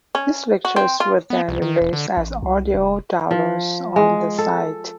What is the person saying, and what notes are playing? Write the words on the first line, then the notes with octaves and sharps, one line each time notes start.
These lectures were then released as audio downloads on the site.
C#4
F#4
C4
F4
B3
C2
D#3
E1
D3
A1
C2
F1
F3
G#3
A4